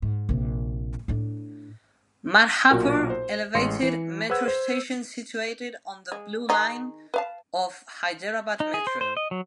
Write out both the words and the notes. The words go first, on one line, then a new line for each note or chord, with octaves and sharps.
Madhapur elevated metro station situated on the Blue Line of Hyderabad Metro.
G#2
A#1 C3
A2 D4
B1 A#2 F4 F#4 A#4
C5
A1 G#3 C6 C#7
E3
G#4 B4 C5 F#5 E6 G#6
C5
G#3
D#3 D#4 G#4
B4 F5 A5
D#4
G#4
C5
C5
D#5
F#3